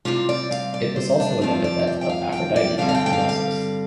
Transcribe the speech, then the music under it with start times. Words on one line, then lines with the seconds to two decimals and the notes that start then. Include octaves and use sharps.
It was also an epithet of Aphrodite at Knossos.
0.05 C3 G3 C4 F4
0.29 D5
0.51 F5
0.74 D5
0.96 C5
1.20 D4
1.41 G2 F3 C4 F4
1.64 D5
1.87 G5
2.01 G5
2.09 F5
2.32 G5
2.56 D5
2.78 G2 D3 G3 C4 F5
2.89 F5
2.94 G5
3.06 G5
3.13 F5
3.29 F5